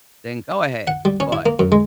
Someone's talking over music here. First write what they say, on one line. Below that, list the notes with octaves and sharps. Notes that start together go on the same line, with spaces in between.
then go ahead, but
F#5
G3
C#4
E4
A#3
F#2
G#3